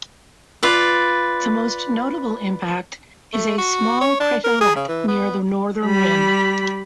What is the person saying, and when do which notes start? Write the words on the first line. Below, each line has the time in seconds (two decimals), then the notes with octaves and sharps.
The most notable impact is a small craterlet near the northern rim.
0.63 F4 B4 D5
3.33 A3
3.58 F#4
4.01 C#5
4.20 D4
4.44 A#4
4.61 G#4
4.76 C#3
4.88 E3
5.08 B3
5.85 G3 B5